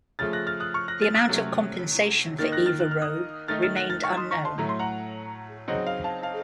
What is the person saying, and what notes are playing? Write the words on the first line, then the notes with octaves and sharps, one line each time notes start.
The amount of compensation for Eva Rowe remained unknown.
C#3 F3 A3 F6 A6
F#6 A#6
F6 A6
D#6 F#6
C#6 F6
F#6 A#6
F6 A6
D#6 F#6
C3 F#3 A3 C#4
D#3 A#3 D#4 F6 A6
F#6 A#6
F6 A6
F#6
F6
D#6 F#6
D#3 A3 D#4 F6 A6
F6 A6
F#6 A#6
F6 A6
C#6 F6
C6 D#6
A#5 C#6
A5 C6
A2 F#3 A3 A#5
C6
F#5 A#5
C#3 F#3 C4 D#4 D#5 F#5
F5
F5 A5
F5 A5